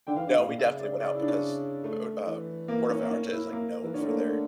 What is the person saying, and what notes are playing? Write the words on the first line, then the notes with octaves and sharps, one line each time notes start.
No, we definitely went out because, oh um Puerto Vallarta is, like, known for their,
D3 G5
E3 F5
D3 F5
A2
A#2
C#3 E5
D5
D5
E4
D4
C#4
A3
E3
A#3
C#4
A#3
C#4
E4
A#3
E3
D3 C#4
A3
A#3
A3